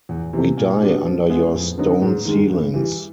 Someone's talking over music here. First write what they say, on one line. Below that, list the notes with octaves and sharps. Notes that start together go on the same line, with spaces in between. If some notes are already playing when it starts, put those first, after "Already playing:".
We die under your stone ceilings!
E2
C3 E3
A#2
G3 B3 D4 F#4
F3
G#3 B3 E4 G#4
F2
D3 F#3 B3 D#4
G#2
D#3 G#3
G2
E3 G3